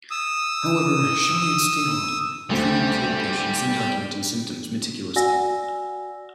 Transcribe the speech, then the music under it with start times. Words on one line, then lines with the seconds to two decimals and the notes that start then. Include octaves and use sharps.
However, Chauliac stayed on, treating plague patients and documenting symptoms meticulously.
0.11 D#6 E6
2.50 D2 G3 A3 C4
5.16 F#4 D5 F#5 G#5 E6 A#6